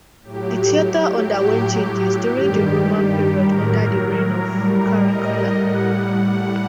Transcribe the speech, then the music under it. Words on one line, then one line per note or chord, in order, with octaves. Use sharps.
The theater underwent changes during the Roman period under the reign of Caracalla.
A2 F#3 G4
A2 F#3 G4
G4
G2 D#3 G3 G4
A2 F#3 A#4
A#4
A2 G3
D#5
A2 G3 F#5